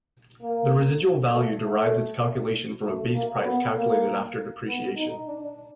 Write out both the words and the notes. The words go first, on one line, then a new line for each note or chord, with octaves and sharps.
The residual value derives its calculation from a base price, calculated after depreciation.
A#3
A3
A3
A3
A#3
B3
A#3
B3
D#4
D4